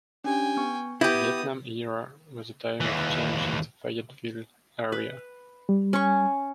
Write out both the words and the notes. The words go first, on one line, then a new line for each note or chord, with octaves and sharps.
The Vietnam Era was a time of change in the Fayetteville area.
C#4 D4 G4 G5 G#5
B3 C#6
B3 E4 G4 D6 D#6 G6 A#6
D#2 E3
B4
G3
C#4 C#6